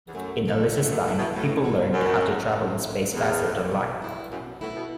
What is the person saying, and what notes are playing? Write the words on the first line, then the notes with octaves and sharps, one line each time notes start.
In Alisa's time people learned how to travel in space faster than light.
E2
F#2 A3
E4 A4
A2 A3
E2
F#2
E4 A4
B2
A2 F#3
C#4 F#4 B4
F#2 F#3
C#4 F#4 B4
A2
A3 C#4
E2 A2
A3 C#4
B2
B3 E4
F#2 B2
A2 B3 E4
B2